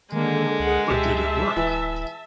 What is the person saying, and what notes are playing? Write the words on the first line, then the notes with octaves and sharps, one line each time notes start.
But did it work?
D3 D#3 G#3 A#3
C#2 G#4 A#4 F#5
C#2 G4 E5 A5
D1 E3